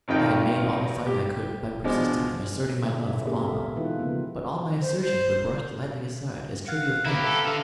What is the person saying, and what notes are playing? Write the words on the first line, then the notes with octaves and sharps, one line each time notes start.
I had made all the fight I could by persisting in asserting my love for Almah, but all my assertions were brushed lightly aside as trivial things.
G#1 F2 D#3 F4 G5
G4
B2 F3 G#3 D4
B2 D3 G#4 E5
A#3 B3 C#4 G4 G#4 A#4
G#3 A4 E5
E3 D#4 F4 B4
C#3 F3 A#3 B3
C5
C5
F5 F#5
E4 G4 B4 F5 A#5
A4
D3 F5